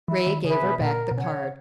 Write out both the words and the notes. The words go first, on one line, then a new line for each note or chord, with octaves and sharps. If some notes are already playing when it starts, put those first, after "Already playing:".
Ray gave her back the card.
E3 E4
D#3
C#3 G#4 B4 E5
B2
A#2 A#4
B2
C#3 C#5 F#5